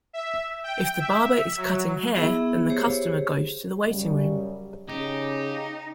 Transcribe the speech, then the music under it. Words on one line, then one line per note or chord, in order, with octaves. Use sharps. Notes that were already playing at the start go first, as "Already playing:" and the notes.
If the barber is cutting hair, then the customer goes to the waiting room.
E5
G5
E5
F#3
B3 E4 G#4 E5
G4 G#4 C5 C#5
F#2 C#3 G3
C#3 D#4 G4